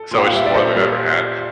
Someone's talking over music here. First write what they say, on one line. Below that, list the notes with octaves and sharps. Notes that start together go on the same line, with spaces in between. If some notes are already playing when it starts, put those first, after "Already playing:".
so it's more than we've ever had,
Already playing: A4
A#2
G5
F5
G3 E5
D5
A#2 A4 C5
G3